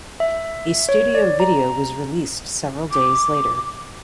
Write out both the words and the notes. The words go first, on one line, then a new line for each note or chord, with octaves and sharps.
A studio video was released several days later.
E5
C#5
D5
A#5
D6